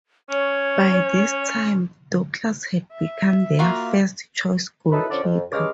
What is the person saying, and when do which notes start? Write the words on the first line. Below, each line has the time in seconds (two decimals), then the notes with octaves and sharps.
By this time, Douglas had become their first-choice goalkeeper.
0.30 C#4 C#5
2.93 E5
3.59 A#3 F4 F#4 F5 A#5
4.92 F#2 D#4 E4 A4 B4
5.10 D3 F3 C#4 D5
5.23 F2
5.52 G2 C#3 G#3 C#5 D6 F6